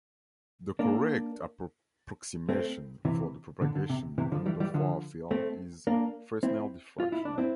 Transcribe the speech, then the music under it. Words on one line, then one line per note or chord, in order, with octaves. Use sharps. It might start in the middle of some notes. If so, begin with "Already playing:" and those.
The correct approximation for the propagation in the far field is Fresnel diffraction.
A#3 D4
A3 C4
C3 E3
D3
D3
C3
C3 E3
D3 F3
E3 G3
E3 G3
D3 F3
A3 C4
A#3 D4
C4 E4
F4
E4
D4
C4 E4